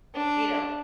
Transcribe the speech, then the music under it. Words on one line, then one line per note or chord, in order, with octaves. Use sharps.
you know,
D4